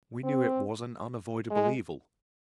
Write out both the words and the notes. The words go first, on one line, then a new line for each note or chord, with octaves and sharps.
We knew it was an unavoidable evil.
C4
G#3